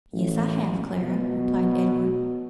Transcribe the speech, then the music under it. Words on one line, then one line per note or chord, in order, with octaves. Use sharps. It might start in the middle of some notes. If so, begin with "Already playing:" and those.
"Yes I have, Clara," replied Edward.
A1
B2